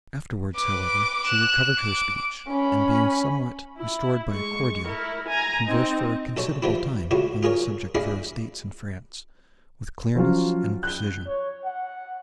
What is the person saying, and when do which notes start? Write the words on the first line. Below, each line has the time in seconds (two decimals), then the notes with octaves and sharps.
Afterwards, however, she recovered her speech, and, being somewhat restored by a cordial, conversed for a considerable time, on the subject of her estates in France, with clearness and precision.
0.55 B4 D6
1.27 F#6 E7
1.79 D6
2.48 C#4 B5
3.78 E4
4.31 G#3 C#6
4.87 E4 A#4
5.28 G#5 A#5
5.65 C4 D#4
6.37 B1 A4 C#5 A5
6.62 E3 F3 G3 C4 E4
7.11 C#2 C#3 A3 E4 F#4
7.43 F4 G#4 A#4 C#5
7.95 A3 D4 E4 G#4 D#5 F5
10.15 F3 F#3 C#4 F4
10.83 F#6 G7
11.27 C#5
11.64 F#5